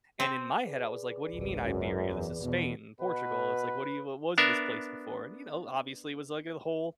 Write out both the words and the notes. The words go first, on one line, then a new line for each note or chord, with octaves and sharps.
and in my head I was like, "What do you mean Iberia? This is Spain, Portugal." It's like, "What do you what what was this place before?" you know, obviously it was like a whole
C4
G#4 B4 D5
G#1 C#2
F#2
E2
E2 B2
B2 B4
B3 D4 A#4 E5